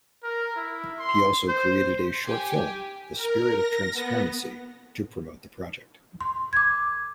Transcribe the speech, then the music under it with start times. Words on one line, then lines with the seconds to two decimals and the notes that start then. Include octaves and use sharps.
He also created a short film, "The Spirit of Transparency", to promote the project.
0.23 A#4
0.55 E4
0.98 C6
1.48 C5
2.26 G4 G#5
3.14 A#4
3.56 A#6
3.93 B3
6.21 C6
6.53 D6 G#6